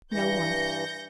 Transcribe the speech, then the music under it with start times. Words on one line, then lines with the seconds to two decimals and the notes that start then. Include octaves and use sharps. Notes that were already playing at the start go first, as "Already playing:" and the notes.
"No one."
0.12 G2 E3 G6 A#6 C#7